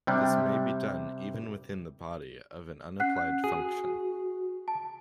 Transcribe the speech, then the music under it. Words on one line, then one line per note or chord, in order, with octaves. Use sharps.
This may be done even within the body of an unapplied function.
C3 G3 D4
C#4 F#5 F#6 C7
F#4 G#4
A5